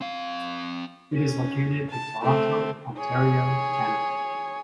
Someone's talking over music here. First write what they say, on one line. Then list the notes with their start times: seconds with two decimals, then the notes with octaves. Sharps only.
It is located in Toronto, Ontario, Canada.
0.01 C4 F5
1.13 C#4
1.90 A5
2.22 A3 C4
2.98 G#4 C#5